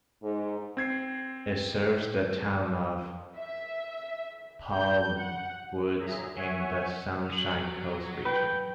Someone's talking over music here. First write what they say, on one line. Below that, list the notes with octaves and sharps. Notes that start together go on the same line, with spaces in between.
It serves the town of Palmwoods in the Sunshine Coast Region.
G#2
C4 G#6 C7
E5
G6
F#5
D#2 A#2 D3 G#4 E5 A#5
C#5 E5 F#5 G#5
F#3
B4 G5